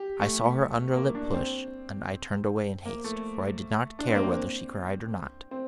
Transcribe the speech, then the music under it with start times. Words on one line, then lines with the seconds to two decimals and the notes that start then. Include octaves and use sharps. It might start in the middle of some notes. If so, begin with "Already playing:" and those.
I saw her under-lip push, and I turned away in haste, for I did not care whether she cried or not.
Already playing: G4
0.20 A3
0.96 A#3
1.15 D4
1.34 C4
2.86 A#3
3.04 A3
3.99 D4
4.07 C4
4.15 A#3
4.23 C4
5.51 C4